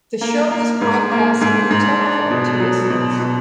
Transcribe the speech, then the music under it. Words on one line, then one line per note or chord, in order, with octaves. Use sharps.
The show was broadcast over telephone to listeners.
A#3
A#3
G#2
A#3
G#2
G#2
D4
B2
F#3
B2
B2